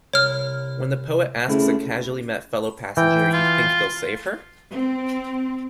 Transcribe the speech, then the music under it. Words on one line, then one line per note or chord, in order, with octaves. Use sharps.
When the poet asks a casually-met fellow-passenger, You think they'll save her?
C2 C#5 F6
C#3 A3 C4 E4
E3 G5
F4
C4